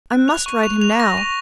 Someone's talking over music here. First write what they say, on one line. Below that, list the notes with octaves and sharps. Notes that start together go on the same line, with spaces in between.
I must ride him now.
F#6
F7
C#6
F7
F7
A#6
C#6